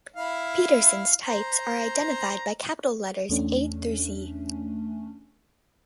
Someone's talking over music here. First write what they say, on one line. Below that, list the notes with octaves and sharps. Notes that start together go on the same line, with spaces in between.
Petersen's types are identified by capital letters A-Z.
E4 F5
C5 A#5
E2 A3 C#4 D4